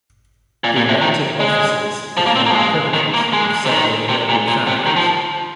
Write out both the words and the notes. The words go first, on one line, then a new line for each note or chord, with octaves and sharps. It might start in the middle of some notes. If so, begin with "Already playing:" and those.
The elective offices became a privilege of several noble families.
A#2
A#2
C3
D#3
G#3
F3
A#3
C4
A#3
F3
G#3
D#3
A#3
G#3
C3
D#3
C3
A#2
A#2
C3
D#3
F3